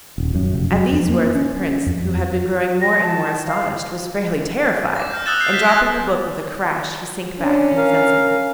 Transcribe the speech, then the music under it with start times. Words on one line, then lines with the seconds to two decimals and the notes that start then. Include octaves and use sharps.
At these words the Prince, who had been growing more and more astonished, was fairly terrified, and dropping the book with a crash he sank back insensible.
0.18 D#1
0.35 F#2
0.54 F1
0.72 F#3
0.92 F2
1.09 A#3
1.35 C#4
1.86 F2
2.81 A#6
3.02 A5
3.47 F5
4.95 D6 A#6
5.10 F6 G6
5.26 D#6 E6 F#6 A6 E7
5.40 E6 F#6 G6 C7
5.53 F#6 B6 E7 G7
5.66 F6 G#6 A#6
7.39 C#4 D4
7.77 A#4 F5